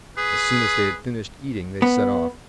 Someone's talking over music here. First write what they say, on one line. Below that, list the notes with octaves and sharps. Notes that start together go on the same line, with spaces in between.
As soon as they had finished eating they set off.
G#4 B4
B3